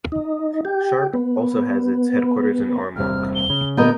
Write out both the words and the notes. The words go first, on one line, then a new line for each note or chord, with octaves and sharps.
Sharpe also has its headquarters in Armonk.
D#4
G4
B3
E1 G2 C3 F6
G7
C#3
A#2 D3 B3 A#4 D#5 G6